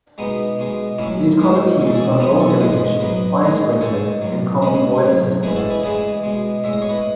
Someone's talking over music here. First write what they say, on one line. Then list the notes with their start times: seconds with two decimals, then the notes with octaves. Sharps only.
It is commonly used on lawn irrigation, fire sprinkler and combi-boiler systems.
0.18 B2 G#3 B3 D#4
0.59 B2 G#3
0.98 A2 F#3 C#4 E4
1.39 A2 E3 G#3
1.79 B2 G#3
1.87 A4
1.95 G#4
2.04 F#4
2.12 E4
2.20 C#3 F#3 B3 D#4
2.40 A4 C#5
2.50 B4 D#5
2.60 B2 G#3 B4 D#5
3.00 B2 F#3 B4 D#5
3.42 A2 G#3
3.81 C#3 G#3 A4 C#5
4.21 A2 F#3
4.62 C#3 G#3 B4 D#5
5.03 A2 F#3
5.43 A2 E3 G#3 G#4 B4
5.56 F#4 A4
5.70 G#4 B4
5.83 C#3 E3 G#3 G#4 B4
6.23 B2 G#3
6.64 A2 G#3 E5
6.73 D#5
6.82 C#5
6.89 B4 D#5